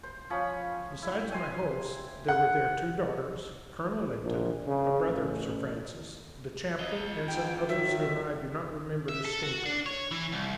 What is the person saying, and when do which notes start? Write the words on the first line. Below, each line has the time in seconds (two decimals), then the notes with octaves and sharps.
Besides my hosts, there were their two daughters, Colonel Lynton, a brother of Sir Francis, the chaplain, and some others whom I do not remember distinctly.
0.03 C5
0.30 F3 C#4 B5
1.03 E4
1.30 G5 G#5 C6
2.28 F#5
4.23 A#1
4.67 C#3
5.07 A1
6.79 F4 D#5
7.28 G#2 G5
7.69 D#3 F#3 E5
9.08 E5
9.25 A4
9.43 F#4
9.66 D4
9.86 C#5
10.11 E3
10.32 C2